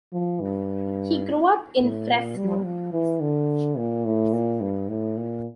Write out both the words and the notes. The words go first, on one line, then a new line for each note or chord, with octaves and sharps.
He grew up in Fresno.
F3
G2
A2
A#2
G3
F3
E3
D3
A#2
A2
A#2
G2
A2
A#2